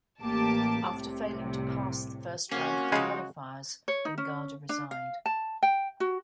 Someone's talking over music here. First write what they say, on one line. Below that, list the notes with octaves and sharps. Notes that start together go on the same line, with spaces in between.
After failing to pass the first round of the qualifiers, Vingada resigned.
A1 A#3 G4 A5 D6
C2 A2 C3
C3 A#3 C#4 F#4
C#3 F3 G3 G#3 D#4 G#4
C#5
D#4
C#4
D4
F5
A5
G5
F#4